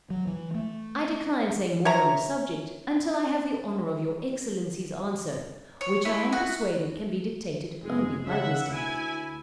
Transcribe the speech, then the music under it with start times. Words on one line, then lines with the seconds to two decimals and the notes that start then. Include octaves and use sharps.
I decline saying more on the subject, until I have the honor of your excellency's answer, which I am persuaded can be dictated only by wisdom.
0.10 F#3
0.27 E3
0.54 A3
1.85 C#5 E5 A#5
5.81 C#5
6.05 E4
6.33 F#4
7.83 F#1 G#3 G#4
8.25 C#3 E5 F#5
8.69 D2 E4 G#5